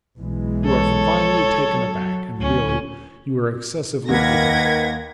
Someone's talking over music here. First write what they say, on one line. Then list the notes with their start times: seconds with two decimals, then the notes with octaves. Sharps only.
You are finely taken aback, and really, you are excessively ignorant.
0.18 B1 E3 G#3
0.65 A4 C#5
1.69 F#3
2.40 D2 C#4
4.09 D#2 D#3 A#3 A#4 B4 F#5 G#6 A#6